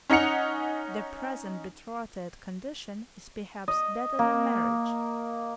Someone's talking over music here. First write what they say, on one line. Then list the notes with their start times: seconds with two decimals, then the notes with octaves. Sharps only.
The present betrothed condition is perhaps better than marriage.
0.10 C#4 D#4 F#5 C#7 F7
3.68 D#5
4.19 A#3